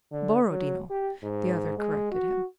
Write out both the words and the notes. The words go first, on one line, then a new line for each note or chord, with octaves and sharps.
"Borodino," the other corrected him.
D3
F#3
G4
G#2
G#3
F#4